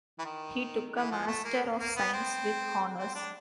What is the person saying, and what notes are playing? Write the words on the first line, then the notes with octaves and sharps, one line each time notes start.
He took a Master of Science with honors.
E3
D#3
E3
F3
A3
A#3
A#3
B3
C4
C4
D4